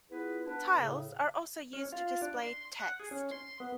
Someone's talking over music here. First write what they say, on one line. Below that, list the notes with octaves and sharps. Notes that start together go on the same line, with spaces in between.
Tiles are also used to display text.
B3 E4 F4 G#4 B4
B3 D4 B4
A2 C#3
C#4
F4
D4
C6
F#5
G#4
C#4
C6
B3